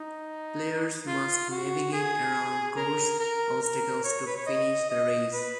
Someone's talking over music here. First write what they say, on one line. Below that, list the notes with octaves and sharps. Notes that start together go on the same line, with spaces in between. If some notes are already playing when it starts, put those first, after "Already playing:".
Players must navigate around course obstacles to finish the race.
Already playing: D#4
F4
F#4
G#4
A#4
A#4
A#4
C#5
B4
C#5
D#5
D#5
B4